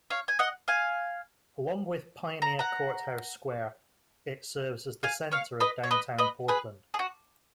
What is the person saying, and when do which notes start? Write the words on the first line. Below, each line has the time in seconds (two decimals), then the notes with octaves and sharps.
Along with Pioneer Courthouse Square, it serves as the center of downtown Portland.
0.10 C#5 F5
0.28 G#5
0.39 D#5 F#5
0.68 F5 G#5
2.42 A#5
2.59 F#5 A#5
5.03 F5 G#5
5.32 C#5 F5
5.60 B4 D#5
5.83 C#5
5.91 B4 D#5
6.18 B4 D#5
6.48 G#4 B4
6.94 G#4
6.99 F#4